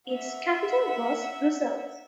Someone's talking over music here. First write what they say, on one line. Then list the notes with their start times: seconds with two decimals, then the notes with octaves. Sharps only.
Its capital was Brussels.
0.11 E5 F#5